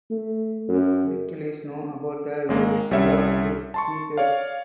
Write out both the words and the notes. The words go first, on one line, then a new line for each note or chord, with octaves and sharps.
Little is know about the life history of this species.
A3
F#2
G#1 G#3 A#3
C2 G3 C#4 C#5 E5
A5 C6 C#6
C#5 D5 F5